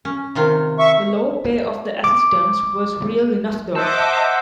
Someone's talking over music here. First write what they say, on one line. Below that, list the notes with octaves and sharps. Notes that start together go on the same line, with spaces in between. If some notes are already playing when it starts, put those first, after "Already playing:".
The low pay of the assistants was real enough, though.
C#4
C3 D#3 F4
E5 C#6
D6
C5 D#5 E5 F#5 A5 D6 E6